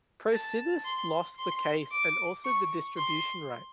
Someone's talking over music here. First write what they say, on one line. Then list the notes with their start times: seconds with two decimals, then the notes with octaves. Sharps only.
Procidis lost the case and also the distribution rights.
0.33 A5
0.85 C6
1.39 C6
1.91 D6
2.45 C#6
2.98 C6